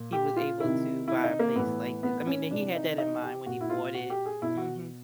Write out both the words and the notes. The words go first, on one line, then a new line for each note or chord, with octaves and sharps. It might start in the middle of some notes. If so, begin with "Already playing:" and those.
he was able to buy a place like this, I mean, that he had that in mind when he bought it Mhm.
Already playing: A#2
G4
F4
C3 D#3 E4
E4
D#4
A#3
A2 E3 B3
B3
C#4
C3 E3 D4
D#4
D#4
G4
A#2 F#4
E4
F4
F#4
G4
G#4
B2 E4
F#4